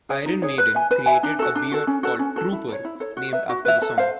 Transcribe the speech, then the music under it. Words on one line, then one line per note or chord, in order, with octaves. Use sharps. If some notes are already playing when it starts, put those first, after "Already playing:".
Iron Maiden created a beer called "Trooper", named after the song.
G#4 C#5
D#4
G#4 C#5
B4
E5 G#5
B4
E5 G#5
D4
F#4 A4
D4
F#4 A4
C#4
F#4 A4
C#4
F#4 A4
E4
A4
C#5
E4
A4 C#5
F#4
B4 E5
F#4
B4 E5
A4
C5 F5